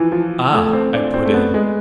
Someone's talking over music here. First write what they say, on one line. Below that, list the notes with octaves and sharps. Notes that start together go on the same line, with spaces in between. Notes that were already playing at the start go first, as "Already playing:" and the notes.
"Ah!" I put in.
Already playing: E3 F3
F3
A3
C4
D4
C4
A3
B3
G#3